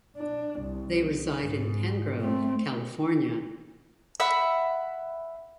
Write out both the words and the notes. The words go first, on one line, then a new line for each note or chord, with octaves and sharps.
They reside in Penngrove, California.
D4
C2
G#2
A3 C4
E5 F#5 B5 E6